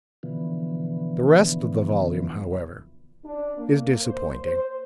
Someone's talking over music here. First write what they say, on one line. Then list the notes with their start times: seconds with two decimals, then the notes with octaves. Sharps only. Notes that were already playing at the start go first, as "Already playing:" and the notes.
The rest of the volume, however, is disappointing.
0.23 B2 D3 E3 F3 B3
3.25 D4
3.58 A#3
4.02 C5
4.43 C5